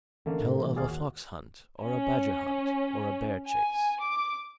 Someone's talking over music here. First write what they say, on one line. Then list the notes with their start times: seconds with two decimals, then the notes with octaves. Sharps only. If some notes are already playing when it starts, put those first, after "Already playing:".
Tell of a fox hunt, or a badger hunt, or a bear chase.
0.26 D3 E3 A3 A#3 C#4
0.40 A2 D4
0.58 A2 E3 G3
0.76 G#1 D#2 G#4 D5 F5
0.91 F#4
1.80 C#4
3.47 G#5
4.01 D6